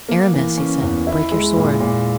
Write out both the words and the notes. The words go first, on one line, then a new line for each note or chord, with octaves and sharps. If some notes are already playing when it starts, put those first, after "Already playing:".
"Aramis," he said, "break your sword."
A#3
E3
C#4
E2
E4
G#3
A#2
A#2